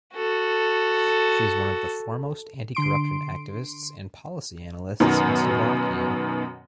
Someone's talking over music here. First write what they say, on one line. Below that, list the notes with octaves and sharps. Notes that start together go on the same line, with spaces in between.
She is one of the foremost anticorruption activists and policy analysts in Slovakia.
F#4 A4
D3 C6 D7
F#2 B2 D#3 F#3